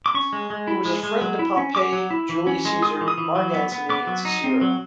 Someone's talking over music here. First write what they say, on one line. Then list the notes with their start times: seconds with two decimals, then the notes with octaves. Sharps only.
He was a friend to Pompey, Julius Caesar, Mark Antony and Cicero.
0.06 D6
0.14 C#4 C#6
0.33 G#3
0.50 G#3
0.68 E4
0.85 G#3
1.03 G#3
1.21 F#3
1.39 E4
1.57 C#4
1.75 C#4 D6
1.93 F#3
2.11 E4
2.29 E3
2.47 C#4
2.65 G#3
2.82 F4 D#6
3.01 E3
3.08 D#6
3.18 E3
3.35 F#3
3.54 B3
3.72 B3
3.89 B3 D6
4.07 F#3
4.25 D#4
4.44 C4
4.61 F#3